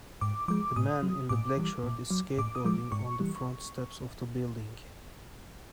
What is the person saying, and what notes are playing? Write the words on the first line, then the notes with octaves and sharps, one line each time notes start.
The man in the black shirt is skateboarding on the front steps of the building.
G#2 D6
F3 G#3 D6
A2 D#6
F#3
A2 D6
E3 G3
A#2
F#3
A2 D6
D#6
F3 G#3 D6
G#2 C#6
E3 G3